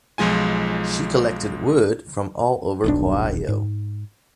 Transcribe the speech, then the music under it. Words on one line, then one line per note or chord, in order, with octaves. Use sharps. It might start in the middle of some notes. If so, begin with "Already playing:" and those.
She collected wood from all over Ohio.
B1 F3 G#3 F4 G#5
D#1 B1 D4
G#2